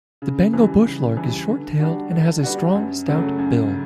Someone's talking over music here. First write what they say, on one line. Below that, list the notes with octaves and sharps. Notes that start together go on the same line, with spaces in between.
The Bengal bush lark is short-tailed and has a strong stout bill.
C#3
E3 G3
C#3
E3 G3
D3
G3 B3 D4 F#4
D3
G3 B3 D4 F#4
F#2
C#3 F#3 A3
F#2
C#3